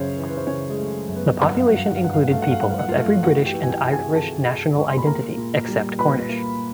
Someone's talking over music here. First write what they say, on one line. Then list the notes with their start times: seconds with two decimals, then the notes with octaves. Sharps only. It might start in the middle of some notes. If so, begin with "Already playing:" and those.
The population included people of every British and Irish national identity except Cornish.
Already playing: F#2 C#3 C#4 C5 C#5
0.17 E3
0.28 B4
0.38 C5
0.47 C#3 C#4 C#5
0.70 G#3 G#4
0.78 A3
1.08 F#2
1.16 B3 B4
1.38 G2 F5
1.48 F#5
1.58 F5
1.67 F#3 F#5
1.76 F5
1.86 F#5
1.95 F5
2.01 G2 F#5
2.13 F5
2.23 F#5
2.31 A3 F5
2.42 F#5
2.51 F5
2.60 G2 F#5
2.69 F5
2.79 F#5
2.89 A3 F4 F5
3.23 E3 F#4 F#5
3.46 G4 G5
3.54 E3
3.63 G#5
3.69 G4 G5
3.85 C3
3.92 G#4 G#5
4.15 C3 A4 A5
4.46 C3
4.77 G#3 C#6
4.88 C6
4.98 B5
5.07 A#3 A#4 A#5
5.37 A#2
5.68 G3
5.99 A#2 B4 B5
6.29 A#3